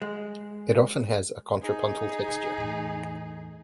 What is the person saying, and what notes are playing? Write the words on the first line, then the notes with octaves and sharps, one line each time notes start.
It often has a contrapuntal texture.
G#3
D#4 G#4
C3
E2 A2